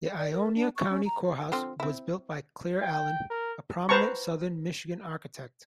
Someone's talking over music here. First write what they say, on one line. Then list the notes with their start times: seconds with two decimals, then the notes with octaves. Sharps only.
The Ionia County Courthouse was built by Claire Allen, a prominent southern Michigan architect.
0.18 D5
0.32 A#4
0.55 D4
0.76 C#6
0.90 C#4
1.06 A#5
1.52 D3 F3 C4
1.80 C4 E4
2.82 G5
3.30 A#4
3.89 B4 C5 A5 A#5 C#6